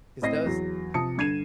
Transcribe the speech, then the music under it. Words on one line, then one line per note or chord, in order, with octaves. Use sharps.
'Cause those
A2 C4 D#5 A#6 C7
E2 F#3
C3 F3 A5 D#6 C#7
G2 D3 G#6 C7 D#7 E7